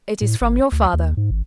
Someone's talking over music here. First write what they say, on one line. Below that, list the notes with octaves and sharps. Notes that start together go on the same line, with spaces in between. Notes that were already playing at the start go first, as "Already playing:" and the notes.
"It is from your father."
A2
G#1
D2
D#2
G#2
G#1